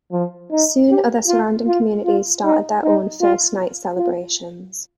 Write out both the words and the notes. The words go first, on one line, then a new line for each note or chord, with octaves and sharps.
Soon other surrounding communities started their own First Night celebrations.
F3
D#4
G4
F4
F4
F4
D#4
D#4
F4
F4